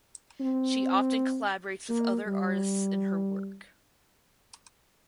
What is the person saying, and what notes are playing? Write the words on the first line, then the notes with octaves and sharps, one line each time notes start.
She often collaborates with other artists in her work.
C4
A#3
G3